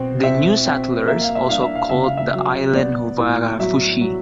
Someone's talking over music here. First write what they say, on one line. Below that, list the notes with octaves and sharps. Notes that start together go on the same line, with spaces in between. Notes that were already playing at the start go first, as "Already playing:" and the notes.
The new settlers also called the island 'Huvarafushi'.
Already playing: B2 C4
C4 E5
C4
A#3 E5
F5
E5
D4 F5
E5
F5
C#3 E5
F5
E5
F#3
B3 D5
A2
F#3 E5
F#3